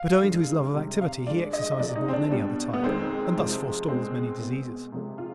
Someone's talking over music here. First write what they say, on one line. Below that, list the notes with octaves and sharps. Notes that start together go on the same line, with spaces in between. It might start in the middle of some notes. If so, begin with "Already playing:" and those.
But owing to his love of activity he exercises more than any other type and thus forestalls many diseases.
Already playing: F5
G2 F3 G#3
C3 G3
F5
G2 F3 G#3 D5
D#5
D#5
C3 F3 G#3 D5
D#4
C4
D4
B2 G3
B3
F2 D#3 G#3 C4
C3 F3 G#3
B2 G#3 C4
B2 G#3
C3 F3 G#3
F4